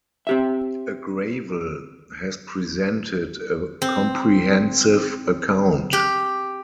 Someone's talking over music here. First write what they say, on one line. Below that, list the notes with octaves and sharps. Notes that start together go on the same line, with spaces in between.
Aggrawal has presented a comprehensive account.
C4 G4 E5
C4
G4